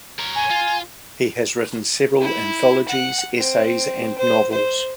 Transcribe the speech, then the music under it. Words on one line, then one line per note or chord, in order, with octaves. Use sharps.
He has written several anthologies, essays, and novels.
A#4 C#5
G#5
F4
E4
F#5
C4
C5
C5